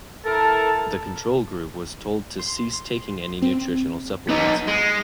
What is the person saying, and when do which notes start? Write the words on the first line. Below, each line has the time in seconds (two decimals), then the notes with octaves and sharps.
The control group was told to cease taking any nutritional supplements.
0.25 E4 A4 A#4 A5
2.39 C6
3.42 C4
4.29 B3 D#4
4.67 G#3